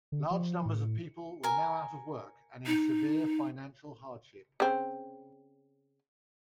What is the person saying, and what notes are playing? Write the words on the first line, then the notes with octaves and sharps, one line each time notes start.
Large numbers of people were now out of work and in severe financial hardship.
D3
F3
A2
A#4 G#5
D#4
C#3 C4